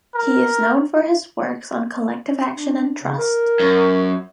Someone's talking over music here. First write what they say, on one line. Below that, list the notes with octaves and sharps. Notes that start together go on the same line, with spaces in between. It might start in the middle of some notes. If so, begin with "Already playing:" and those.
He is known for his works on collective action and trust.
A#4
D4
C#3
A#4
F#2